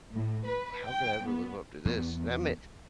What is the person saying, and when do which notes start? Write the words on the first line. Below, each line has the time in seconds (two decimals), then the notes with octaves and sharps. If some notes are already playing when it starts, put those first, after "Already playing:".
how could I ever live up to this? That ma
0.13 A2
0.48 B4
0.87 G5
1.27 B3
1.85 E2 B3